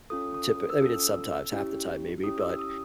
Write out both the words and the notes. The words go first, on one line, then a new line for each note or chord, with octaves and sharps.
typi I mean, it's sometimes, half the time maybe, but,
C#4 F4 A4 D#6
D#6
E6
C#4 F4 A4 D#6
E6
C#4 E4 G4
C#4 E4 G4 D#6
E6
D#6